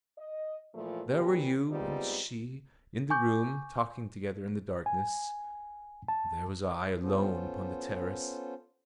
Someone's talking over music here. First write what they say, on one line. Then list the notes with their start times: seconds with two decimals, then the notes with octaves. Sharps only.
There were you and she in the room talking together in the darkness; there was I alone upon the terrace.
0.18 D#5
0.75 A#2 E3 F3 A3
1.09 A#2 E3 C4 G4
1.70 G3 G#3 B3 C4 D#4 F4
3.10 G#5 C#6 D6 G6
4.86 G#5
6.08 A5
7.02 B3 C#4 F4 A4 C5